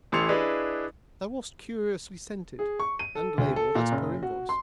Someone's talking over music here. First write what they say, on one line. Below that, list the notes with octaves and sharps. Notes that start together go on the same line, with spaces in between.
Thou wast curiously scented, and labelled as per invoice.
A1 E3 A4 C6 C#7 F7
D4 E4 G#4 B4 D#5
G#4
C#6
D#7
A4
D2
A4
A#2
F#1
F#4
C6